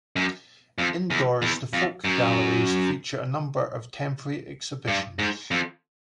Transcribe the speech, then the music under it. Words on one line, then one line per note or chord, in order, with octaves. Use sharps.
Indoors, the Folk Galleries feature a number of temporary exhibitions.
F#2
F2
E2
E2
F2
F#2
G2
G#2
F2